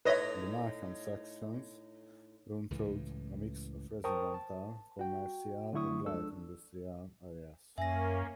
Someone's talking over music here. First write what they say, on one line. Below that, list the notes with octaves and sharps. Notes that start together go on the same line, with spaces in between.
The Markham sections run through a mix of residential, commercial and light industrial areas.
A2 D#4 B4 C#5 D#5 E5
C#2 A2 E3
A#4 C5 G5 A5 C#6 D#6
A5
F#4 G5
D3 F#3 A3 E4 C#6 D#6
C#2 F3 G#3 D4 A4 E6
F#2 A#3 C#4 E5 G#5 A#6